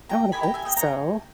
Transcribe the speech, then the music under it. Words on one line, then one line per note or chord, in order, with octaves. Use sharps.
I would hope so.
G5 A#5
E4 G4 B4 D#5 G#5 B5
G5 A#5
E5 G#5
D#5 G5
G#4 C#5 G5 A#5